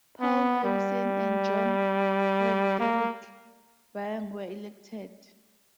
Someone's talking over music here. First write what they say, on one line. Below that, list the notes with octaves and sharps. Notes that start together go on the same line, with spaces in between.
Paul Harrison and John Frederick Byng were elected.
B3
G3
A#3